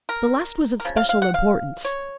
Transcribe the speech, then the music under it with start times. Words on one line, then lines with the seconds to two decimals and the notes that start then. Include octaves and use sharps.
The last was of special importance.
0.09 A#4
0.80 A#4
0.85 C#3 F3
0.97 F5
1.09 F5
1.22 F#5
1.34 F5
1.85 C#5